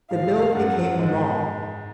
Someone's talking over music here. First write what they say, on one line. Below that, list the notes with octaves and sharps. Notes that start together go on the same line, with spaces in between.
The bill became law.
G#2 G#3 F5
F#2 F#3 F#5
G#2 G#3